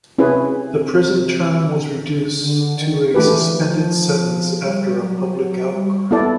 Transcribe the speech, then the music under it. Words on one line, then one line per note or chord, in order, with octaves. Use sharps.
The prison term was reduced to a suspended sentence after a public outcry.
C3 C#4 E4 G#4 B4
D3
D#3
E3 A3 D4 G4 B4
F3
G3
F#3
F#3
G3
B3 E4 A4 D5